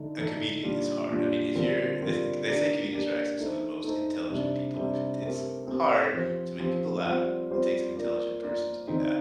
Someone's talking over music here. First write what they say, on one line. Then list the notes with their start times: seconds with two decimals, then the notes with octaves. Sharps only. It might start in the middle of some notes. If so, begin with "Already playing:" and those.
a comedian is hard, I mean if you're They think They say comedians are actually some of the most intelligent people, if it's hard to make people laugh, it takes an intelligent person to do that,
Already playing: D3 A3 D#4 A4
0.18 D3 A3 D#4 A4
0.63 A#2 G3 D4 F4
1.10 A#2 G3 D4 F4
1.55 D3 G3 C4 F4 A#4
2.01 D3 G3 C4 F4 A#4
2.47 A#3 D4 G4 D5
2.93 A#3 D4 G4 D5
3.39 A3 D#4 A4 C5
3.84 A3 D#4 A4 C5
4.30 C3 G3 D4
4.76 C3 G3 D4
5.22 A3 C4 G4 A#4
5.67 A3 C4 G4 A#4
6.13 F3 C4 G4 C5
6.59 F3 C4 G4 C5
7.04 G3 C4 F4 C5
7.50 G3 C4 F4 C5
7.96 A#3 F4 A#4 D5
8.42 A#3 F4 A#4 D5
8.87 D3 A3 C4 D#4